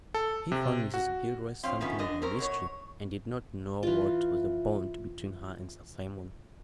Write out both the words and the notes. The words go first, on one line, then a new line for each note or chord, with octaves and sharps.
He found Mrs. Gilroy something of a mystery, and did not know what was the bond between her and Sir Simon.
A4
C3
F#4
F3 C4 C#5 F5
D#3 F3 F#3 A3 B3 C#4
F#2 D4 A#4 D#5
C4 C#4 A#4
B2 C#5
E3 F4